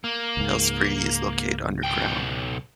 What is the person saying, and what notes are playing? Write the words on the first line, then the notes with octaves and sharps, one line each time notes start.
Helsfyr is located underground.
A#3
C#2 G#2
B1 G5